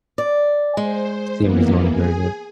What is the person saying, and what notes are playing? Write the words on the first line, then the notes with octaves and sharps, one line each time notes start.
his team was going very good.
D5
G#3 C5
E3 A#3 B3
G#4 G#5